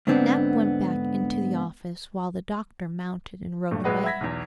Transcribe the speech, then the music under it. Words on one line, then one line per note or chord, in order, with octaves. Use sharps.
Nap went back into the office while the doctor mounted and rode away.
G#2 D3 B3 C4 D4
G2 A#2 A3
A#1 G#3 B4 D#5 F#5
E5 F#5 B5 G#6 A#6 B6
B1 E2